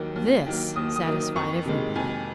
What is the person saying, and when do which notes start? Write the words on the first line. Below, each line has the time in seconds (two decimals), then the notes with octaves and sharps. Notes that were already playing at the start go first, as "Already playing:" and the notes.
This satisfied everybody.
Already playing: D#2 D#3 F#3 A#3
0.16 D#2
0.47 D#3 F#3 A#3
0.76 D#2 D#6
0.96 D#6
1.06 D#3 F#3 A#3
1.36 F2 C#6
1.66 C3 D#3 G#3
1.95 F2 G#5